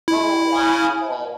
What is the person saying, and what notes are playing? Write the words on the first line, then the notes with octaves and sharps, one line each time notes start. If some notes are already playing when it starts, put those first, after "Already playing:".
Oh wow! Oh,
E4